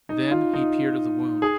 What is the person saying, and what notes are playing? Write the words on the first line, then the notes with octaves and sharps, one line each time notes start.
Then he peered at the wound.
D#4
F4
D#4
G#4